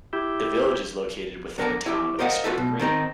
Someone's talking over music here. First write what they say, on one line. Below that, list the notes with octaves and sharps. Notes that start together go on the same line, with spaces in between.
The village is located within the Town of Spring Green.
E4 G4
D3 B3 A#4 F#5 A5 A#5
E4 G4
A#4 C5 D#5 F5 F#5
F4 F#4 G#4 A4 B4 E5
B2
D#3 C4 D#4 A#4